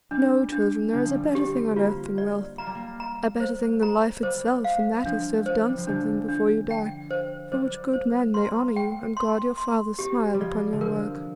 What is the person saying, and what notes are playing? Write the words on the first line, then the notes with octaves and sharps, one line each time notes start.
No, children, there is a better thing on earth than wealth, a better thing than life itself; and that is, to have done something before you die, for which good men may honour you, and God your Father smile upon your work.
G3 D4
D4
D3 D4
F3
G3
C4 G4
C4
A#3 F4
D5
A#3 A#5
G3
A#3
A#5
C5
A#5
G3 C5
F5
F3 D4
C5
G3
F3
D3 D4
D4
G5
C5
G3 C5
C5
A#3 C6
G5
C6
C6
C4 G4
G3
F3 D5
D3
F3 A#4